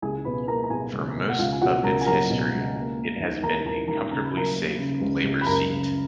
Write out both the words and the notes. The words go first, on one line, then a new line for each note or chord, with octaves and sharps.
For most of its history, it has been a comfortably safe Labor seat.
C#2 G#4 G#5
B2 B4 B5
A#3 A#4 A#5
A#5
B2 G#4 G#5
C#2
B2
F#5
C#2 F4 F5
G#5
B2 F#4 F#5
C#2 A#4 A#5
G#5
F#3 A#4 A#5
B2
C#2
A#3
A#3
D#2
D#2 A#4 A#5
D#2 A#4 A#5
D#2 A#4 A#5
C#3 A#5
B5
F#3 A#4 A#5
A#3
C#3
C#2
C#2
B5
F#2 A#4 A#5
C#3